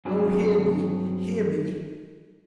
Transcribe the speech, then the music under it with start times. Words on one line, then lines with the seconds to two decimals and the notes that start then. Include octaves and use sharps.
Oh, hear me! hear me!
0.05 G2 F#3 C4 G#4